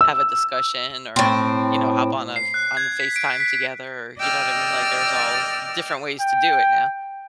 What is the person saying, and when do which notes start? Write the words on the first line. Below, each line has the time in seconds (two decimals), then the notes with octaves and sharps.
have a discussion, or, you know, hop on a f on a FaceTime together, or you know what I mean? Like, there's all different ways to do it now.
0.01 E6
1.16 A2 C4
2.36 C7
2.54 F#6
2.77 G#6
3.00 B6
3.16 D7
3.40 B6
4.19 D5 D#5 G5 E6 F6
6.20 G5